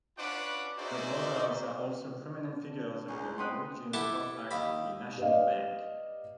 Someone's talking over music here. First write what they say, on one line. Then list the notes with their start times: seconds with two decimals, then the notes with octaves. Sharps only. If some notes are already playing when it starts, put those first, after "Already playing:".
The brothers are also prominent figures of the Norwegian pop act The National Bank.
0.17 C#4 D4 F4 B4 F#5 D6
0.77 D#4 F#4 G#4 C5 D5 E5
2.70 D4
3.08 C#2 C#4
3.38 B3 C4 B4 C6 D#6 F#6
3.94 E4 G4 A4 F#5
4.51 D#2 B5
5.18 G4 B4 D5 D#5 F5